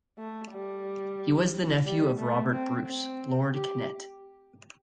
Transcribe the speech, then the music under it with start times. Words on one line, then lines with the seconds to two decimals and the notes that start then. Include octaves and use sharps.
He was the nephew of Robert Bruce, Lord Kennet.
0.18 A3
0.52 G3
1.85 G3
2.19 A3
2.52 C4
2.86 C4
3.53 G4